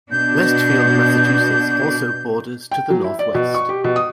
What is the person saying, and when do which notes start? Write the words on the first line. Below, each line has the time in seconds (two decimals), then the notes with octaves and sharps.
Westfield, Massachusetts, also borders to the northwest.
0.11 B2 D4 G6
2.71 G5
2.90 F#3
3.04 E4
3.19 D5
3.34 B2
3.54 C#6
3.69 G4
3.84 B2
3.96 D#6